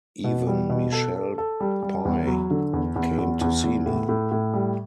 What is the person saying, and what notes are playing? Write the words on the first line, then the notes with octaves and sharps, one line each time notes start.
Even Michele Pye came to see me.
B2
G3
B2
A4
A4
A4
G3
G3
E2
F#3
D3
E2
E2
E2
E2
E2
A2
A2
A2
G3